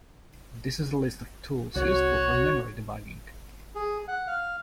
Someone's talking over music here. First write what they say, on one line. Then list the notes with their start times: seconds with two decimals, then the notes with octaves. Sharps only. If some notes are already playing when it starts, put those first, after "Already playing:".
This is a list of tools useful for memory debugging.
1.75 C2 F#4 C#5
3.75 G#4
4.08 F#5
4.27 F5